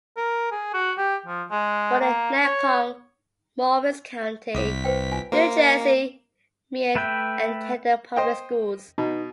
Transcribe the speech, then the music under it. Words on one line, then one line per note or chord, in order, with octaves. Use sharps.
Born in Netcong, Morris County, New Jersey, Meade attended the public schools.
A#4
G#4
F#4
G4
F3
G#3
A#3
C#5
C2 D6 D#6 B6
B4 C5 G5
F4 G#5
A#3 F#4 C5 D5
D#5
A3 B4 E5 G5
C5 D#5 G5
B2 B3 D#4